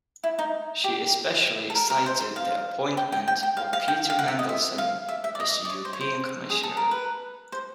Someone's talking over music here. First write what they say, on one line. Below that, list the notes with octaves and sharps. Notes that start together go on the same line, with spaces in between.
She especially cited the appointment of Peter Mandelson as a European Commissioner.
E4
D#4
G4
A4
A#4
A#4
C5
C5
F5
G5
G5
G5
G5
F5
F5
G5
F5
F#5
E5
D#5
E5
F5
E5
E5
D5
D#5
D5
C#5
C5
C#5
C5
G#4
A4
A#4
B4
C5